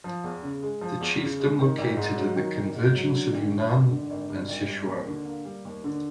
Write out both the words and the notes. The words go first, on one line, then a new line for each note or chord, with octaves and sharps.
The chiefdom located at the convergence of Yunnan and Sichuan.
F3
E2
C#3
G#3
F3
E2
C#3
G#3
D#3
G#1
G#2
F#3
D#3
G#1
G#2
F#3
D3
G#1
G2
G#1
D3
G#1
G2
G#1
G3
D#2
D3
A#3
G3
D#2
D3